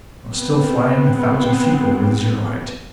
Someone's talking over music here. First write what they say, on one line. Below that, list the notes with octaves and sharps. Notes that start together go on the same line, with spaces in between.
I was still flying a thousand feet over the zero-height.
B3 C4